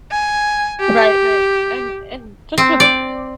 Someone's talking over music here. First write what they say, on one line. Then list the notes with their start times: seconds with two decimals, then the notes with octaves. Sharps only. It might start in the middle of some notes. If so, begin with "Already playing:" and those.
Right right, and and just with
0.11 G#5
0.80 G4
2.58 C4
2.80 D5